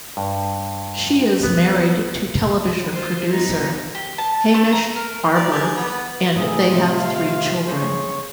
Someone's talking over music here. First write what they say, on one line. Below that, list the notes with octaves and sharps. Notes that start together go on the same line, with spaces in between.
She is married to television producer Hamish Barbour and they have three children.
G2
B3
F4 C5
B3 D#4
G4
A5
A3
A#5
A#4
A#3 D5
G4 G#4
B3
A2 D#4 E4 G#4
C3 D#3 C4 F4
F5
G#4 C5 C#5